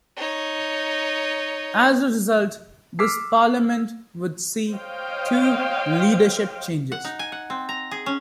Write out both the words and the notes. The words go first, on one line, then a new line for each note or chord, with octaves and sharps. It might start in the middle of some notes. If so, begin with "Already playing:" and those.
As a result, this Parliament would see two leadership changes.
D#4 C#5
D6 E6 F6 B6 C7
C5 C#5 D#5 F5 G5
F#5
D#4
G#5
F#5
C4
A#5
G#4
C#4